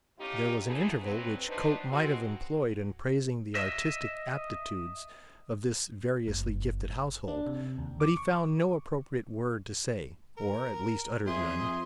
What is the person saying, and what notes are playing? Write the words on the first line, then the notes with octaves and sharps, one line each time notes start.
There was an interval which Cope might have employed in praising the artistic aptitudes of this variously gifted household, but he found no appropriate word to say,--or at least uttered none.
A2 C#4 D#4 F4 G4
D3 A3 B3 D#4 E4 G#4
D2 F#3 C4 B4
B2 B3 D4 D#4 B4 C5
D#3 G#3 C4 F#4
D#5 E5
F#1
D4
C3
D#2
D6
C#6
A#4
F2 G#4 E5 C6 D#6